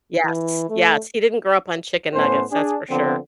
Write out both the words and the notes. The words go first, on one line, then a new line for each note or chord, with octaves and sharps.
Yes, yes, he didn't grow up on chicken nuggets, that's for sure.
E3
A3
A2 B3 C#4 C5
D4 G#4
D3 F3 B3 C4